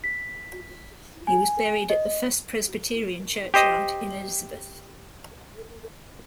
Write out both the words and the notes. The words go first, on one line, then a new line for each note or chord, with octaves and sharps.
He was buried at the First Presbyterian Churchyard in Elizabeth.
B6
G#5
D#5
G4 C5 D#5